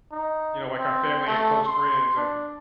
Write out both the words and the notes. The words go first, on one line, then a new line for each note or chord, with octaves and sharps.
you know, like our family and close friends, and
D#4
C4
A3
C6
D4